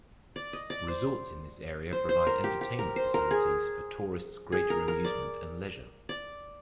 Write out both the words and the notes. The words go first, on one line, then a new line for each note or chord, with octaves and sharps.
Resorts in this area provide entertainment facilities for tourists' greater amusement and leisure.
D5
D#5
D5
C5
C5
C5
A#4
G4
G4
A#4
C5
A#4
G#4
G#4
A#4
A#4
D5
D5